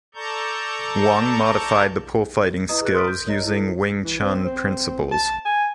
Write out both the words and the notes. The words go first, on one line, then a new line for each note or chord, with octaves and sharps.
Wong modified the pole fighting skills using Wing Chun principles.
A4 D5 A5 A#5 C#6 G6
E4 B4 D#5 A#5 D#6
G#4 B4 F#6
C6 D#6 F6 A6 B6 D7
G6
A#4 C#5 D#5 A#5
E4 A4
E3
C4
C4
A5
G#5